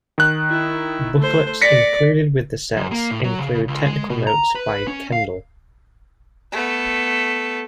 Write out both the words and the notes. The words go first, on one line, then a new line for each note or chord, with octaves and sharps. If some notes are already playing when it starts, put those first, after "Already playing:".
Booklets included with the sets include Technical Notes by Kendall.
D#3 F#6
E4
A3 C5
D5 A#6 B6 C#7
F#2
A#3
A2
F#3
C#3
C#2
G#3
B2
A#5
B4
C#4
F5
A3 B3